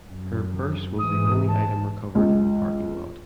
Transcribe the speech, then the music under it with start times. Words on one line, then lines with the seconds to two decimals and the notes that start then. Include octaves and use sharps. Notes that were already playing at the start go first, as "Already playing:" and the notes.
Her purse was the only item recovered in the parking lot.
0.11 F#2
0.99 G#2 E3 D#6
1.48 A5
2.15 C#2